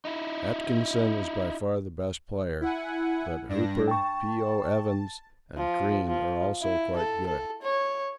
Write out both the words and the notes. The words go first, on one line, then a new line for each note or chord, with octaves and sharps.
Atkinson is by far the best player, but Hooper, P.O. Evans, and Crean are also quite good.
D#4 E4
E4 F#5 G#5
G2 D4 A#6
G5 A5 C#6
F3
F3
E4
A4
A4
C#5